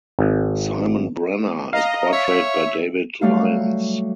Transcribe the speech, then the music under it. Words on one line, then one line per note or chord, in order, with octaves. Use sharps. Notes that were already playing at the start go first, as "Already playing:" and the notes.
Simon Brenner is portrayed by David Lyons.
G#1
D#5 F5 A#5
C#5 E5
F#3 G3 A3 F5